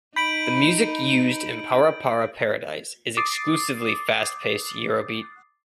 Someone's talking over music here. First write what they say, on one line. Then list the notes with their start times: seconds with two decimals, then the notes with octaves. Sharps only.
The music used in Para Para Paradise is exclusively fast-paced Eurobeat.
0.16 D#4 B5 G6 D7 F#7
3.17 D6 D#6 A6 C7